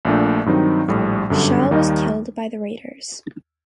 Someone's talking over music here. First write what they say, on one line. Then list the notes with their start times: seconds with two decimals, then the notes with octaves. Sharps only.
Schaw was killed by the raiders.
0.05 A#1 A#2 A3 D4
0.46 G2 D#3 F#3 C4 D#4
0.88 A#1 A2 G3
1.30 G1 F#2 D3 G3
1.71 D#2 D#3 G3 A#3 D#4